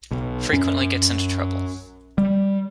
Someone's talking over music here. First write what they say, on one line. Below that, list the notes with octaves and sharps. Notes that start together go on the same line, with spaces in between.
Frequently gets into trouble.
B1
F#2 C#4
G3